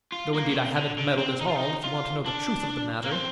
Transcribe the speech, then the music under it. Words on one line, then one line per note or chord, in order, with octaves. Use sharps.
Though, indeed, I haven't meddled at all, if you want to know the truth of the matter.
F4
A#3
A#3
C4
D3
D3
C4
D#4
F4
D#4
F4
D4
A#3
C4